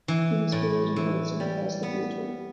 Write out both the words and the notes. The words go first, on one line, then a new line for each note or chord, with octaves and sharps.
He was buried in Old Saint Paul's Cathedral.
E3
A2
E3
G3
B3